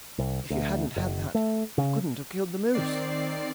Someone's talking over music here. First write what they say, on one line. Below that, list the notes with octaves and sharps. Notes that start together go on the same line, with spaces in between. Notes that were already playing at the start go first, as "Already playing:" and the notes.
"If you hadn't had that you couldn't have killed the moose."
C2
D2
F#1
A3
C#3
D#3 C4 D5 C7